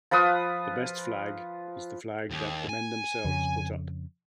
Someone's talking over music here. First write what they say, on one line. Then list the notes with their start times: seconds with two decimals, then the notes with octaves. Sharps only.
The best flag is the flag that the men themselves put up.
0.11 F3 F4 B4 D#6
2.30 D#2
2.69 G#5
3.24 F2 C#3